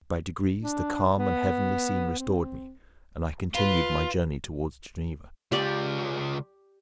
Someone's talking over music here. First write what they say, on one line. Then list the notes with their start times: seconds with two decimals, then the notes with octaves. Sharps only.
By degrees the calm and heavenly scene restored me, and I continued my journey towards Geneva.
0.62 D4
1.18 B3
2.18 C4
3.55 F4 B4
5.52 C#2 F4 G4 D5